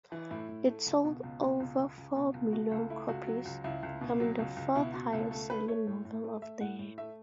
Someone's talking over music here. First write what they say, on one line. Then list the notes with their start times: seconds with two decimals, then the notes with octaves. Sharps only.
It sold over four million copies, becoming the fourth highest-selling novel of the year.
0.12 E3
0.31 A2 E4
0.49 A2
0.68 A3
0.86 C#2
1.05 B2
1.23 C#2
1.42 B2
1.60 C#2
1.79 C#2
1.97 C#2
2.16 B2
2.34 C#2
2.53 A3 F#4
2.71 C#2 A4
2.90 A3 E4
3.08 C#2 F#4
3.27 F#3
3.45 C#2
3.64 C#2 E4
3.83 C#2
4.01 B2
4.20 F#3
4.39 C#2
4.56 C#2
4.75 B2 E4
4.94 B2 F#4
5.12 C#2 A4
5.31 A3 A4
5.50 A3 B4
5.68 A3 C#5
5.87 A2
6.05 A2
6.24 A3
6.42 A3 E5
6.61 A2 F#5
6.79 A2
6.98 A3 E5